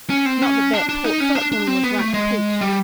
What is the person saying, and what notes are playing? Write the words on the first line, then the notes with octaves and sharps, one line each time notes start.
Not that that Port Phillip woman was right to peach.
C#4
C4
C#4
D4
D4
D#4
C#4
D4
D4
C4
B3
A3
G#3
G3